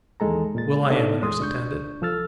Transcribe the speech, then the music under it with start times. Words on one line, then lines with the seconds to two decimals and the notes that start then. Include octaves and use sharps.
Well, I am a nurse-attendant.
0.20 D#2 D#3 E3 G#3 A4 A#5
0.55 A#2 G#3 A6
0.90 C#3 B3 D4 D#4 A4 C#5
1.22 E2 G#3 C6 D#6
1.39 C#2 D4 C#6 G6
2.01 C2 F3 A4 E6 F6 A6